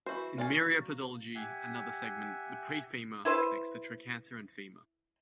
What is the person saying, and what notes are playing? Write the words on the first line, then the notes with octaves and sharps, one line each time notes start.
In myriapodology another segment, the prefemur, connects the trochanter and femur.
E3 E4 F#4 C5
A#3 D5 G#5
G4 E5 F#5 G#5
E4 B4 C5